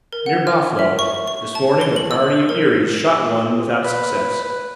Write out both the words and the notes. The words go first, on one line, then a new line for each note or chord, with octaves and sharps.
Near Bah-flo this morning a party of Eries shot one without success.
A#4
F#5
F6
E5
C#6
C#6
A5
G7
F#7
E6
A#4
B4